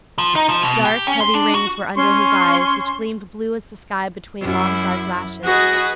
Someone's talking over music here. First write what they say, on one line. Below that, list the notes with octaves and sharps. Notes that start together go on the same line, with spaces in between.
Dark, heavy rings were under his eyes, which gleamed blue as the sky between long dark lashes.
F3
D#4
F3
B2
G4
C#4
C6
D4
F#4
C#4 C6 C#6
F#2 E4
F#4 G#4 B4 D#5